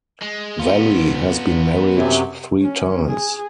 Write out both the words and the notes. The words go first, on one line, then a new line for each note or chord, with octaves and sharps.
Valli has been married three times.
G#3
B3 F4
F#2 C3 F#3
C#4
G#4